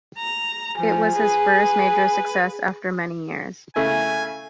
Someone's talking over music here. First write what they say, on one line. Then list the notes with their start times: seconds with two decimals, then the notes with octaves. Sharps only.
It was his first major success after many years.
0.18 A#5
0.78 F3 G#5
1.15 G#4 B4
3.76 C#3 A3 E4 G#5